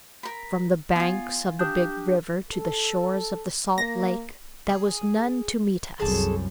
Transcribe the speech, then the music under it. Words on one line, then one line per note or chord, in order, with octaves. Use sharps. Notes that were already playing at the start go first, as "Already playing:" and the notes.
From the banks of the big river to the shores of the salt lake, there was none to meet us.
A#4 B5
B3 F4 G#5
D4 G4 D#6 G6
A4
A#3 A#6
G#4
C2 F#2 G#4 A4 A5